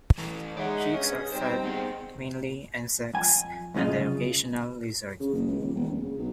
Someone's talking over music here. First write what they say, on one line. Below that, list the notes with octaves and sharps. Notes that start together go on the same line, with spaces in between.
Chicks are fed mainly insects and the occasional lizard.
E3 E4 A4
G#3 D#4 C#5 D5 E5 F#5
G2 C#4 G#4 D#6
G3 C4 D#4 C5 G5
B3 G#4
F2 G#5
C2 F#2 C#3 F4 D#5
C#3
F#1
C#2
D#1
E1
F#1
C#3
B1